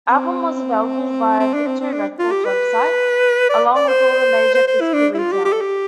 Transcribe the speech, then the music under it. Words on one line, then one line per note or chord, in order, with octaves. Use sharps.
Album was available via Victory Records website, along with all the major physical retailers.
C4
C4
D4
C4
C4
D4
F4
G4
B4
D5
D5
C5
C5
C5
E4
D4
E4
F4
G4
G4
A4
G4